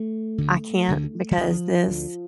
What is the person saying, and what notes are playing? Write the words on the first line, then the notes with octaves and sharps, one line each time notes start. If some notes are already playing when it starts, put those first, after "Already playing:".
"I can't because 'this'"?
Already playing: A3
D2 D3
D2 D3
E3
D2 D3 F3
D2 D3